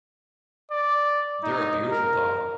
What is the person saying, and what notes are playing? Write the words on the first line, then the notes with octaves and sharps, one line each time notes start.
They're a beautiful dog.
D5
D#4
A#4